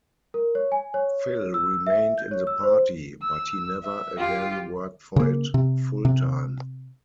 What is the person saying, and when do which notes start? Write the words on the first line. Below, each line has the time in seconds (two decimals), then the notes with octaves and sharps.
Phil remained in the Party, but he never again worked for it full time.
0.34 A#4
0.55 C#5
0.72 G#5
0.94 C#5
1.54 E6
1.87 E5
2.18 G6
2.31 C#5
2.47 E6
2.63 C5
3.22 E6
3.84 E5
4.18 F4 G4
5.16 C#3 A#3
5.54 C3
6.05 C3